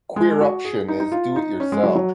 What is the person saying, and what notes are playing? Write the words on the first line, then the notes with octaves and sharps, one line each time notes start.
Queeruption is Do-it-Yourself!
G#3
F#4
G#4
D#4
D#4
F4
D#4
C#4
G#3
F#3
F#3